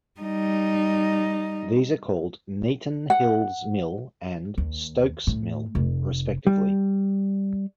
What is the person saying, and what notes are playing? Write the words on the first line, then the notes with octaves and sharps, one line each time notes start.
These are called Kneeton Hills Mill and Stokes' Mill respectively.
G3 D#4
F#5
D#2
A2
F1
G3